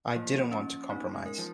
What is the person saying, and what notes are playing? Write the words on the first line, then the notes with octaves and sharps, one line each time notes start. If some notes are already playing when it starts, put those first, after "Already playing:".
I didn't want to compromise.
F3 A#3
C#4
B3 D#4
G#3
A#4
F3